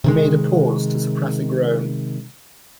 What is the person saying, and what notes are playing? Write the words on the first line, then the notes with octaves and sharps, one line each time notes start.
He made a pause to suppress a groan.
C3 D#3 G#3